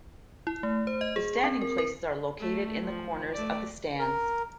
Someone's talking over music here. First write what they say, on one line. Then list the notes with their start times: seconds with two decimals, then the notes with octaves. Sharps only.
The standing places are located in the corners of the stands.
0.47 E4
0.63 A3
0.87 C5
1.01 D#5
1.16 G#4
1.44 C4
1.61 A#4
1.78 A#4
2.40 A3
2.84 F3
3.33 A3 D5
3.99 A#4